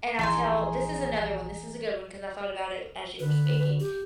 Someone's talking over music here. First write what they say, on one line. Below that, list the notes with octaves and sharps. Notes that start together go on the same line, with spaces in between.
and I tell this is another one, this is a good one 'cause I thought about it as you were speaking,
A#1 E3 D#4 G#4 G#5 C6
D3 B4
G4